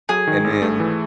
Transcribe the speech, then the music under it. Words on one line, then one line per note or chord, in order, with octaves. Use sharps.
and then,
F#3 G#4
D#3
G#1
A3
E3